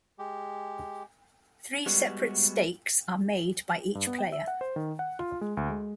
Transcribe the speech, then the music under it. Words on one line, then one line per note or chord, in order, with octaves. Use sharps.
Three separate stakes are made by each player.
G#3 G4
G3 G#3 B3 F#4
G2
B3
G5
E5
F#5
C5
D#3
F#5
F4
G#3
D2
G#3